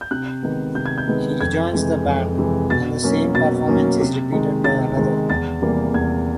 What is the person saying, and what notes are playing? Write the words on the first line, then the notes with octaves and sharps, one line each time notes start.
He rejoins the band, and the same performance is repeated by another.
G6
C3 F#6
D#3 G#3 B3
C3 G6
G#6
G6
D#3 G#3 B3
F2 G#6
C3 E3 G#3
F2
C3 E3 G#3
B2 A6
F#3 A#3 C#4
B2 A6
F#3 A#3 C#4
C3
D#3 G#3
C3 A6
D#3 G#3
E2 A6
C3 E3 G3 A#3
E2 G#6